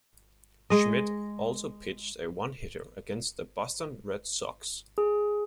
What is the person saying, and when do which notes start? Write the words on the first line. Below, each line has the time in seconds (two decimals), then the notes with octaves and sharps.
Schmidt also pitched a one-hitter against the Boston Red Sox.
0.70 G#3 D#5
4.98 G#4